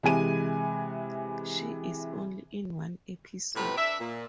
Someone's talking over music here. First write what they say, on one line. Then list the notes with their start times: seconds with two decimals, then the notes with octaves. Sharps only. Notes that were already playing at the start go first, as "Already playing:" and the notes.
She is only in one episode.
0.03 C3 E3 G#3 G#5 D#7
3.56 F2 A2 C3 B3 B4
3.76 D4 D5 E5
3.99 A#2